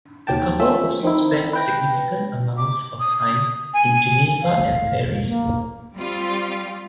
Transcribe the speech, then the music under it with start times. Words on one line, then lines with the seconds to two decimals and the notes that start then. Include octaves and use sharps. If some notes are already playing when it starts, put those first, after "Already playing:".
The couple also spent significant amounts of time in Geneva and Paris.
0.27 D#2 F#3 G4 G5 A5
0.59 F3 A3 C#4 E5
1.03 D#3 C4 D#4 E4
1.53 B4 G5 A#6
2.57 D6
3.00 D#6
3.74 G#5
4.42 F5
5.27 A#3
5.96 G3 C4 F4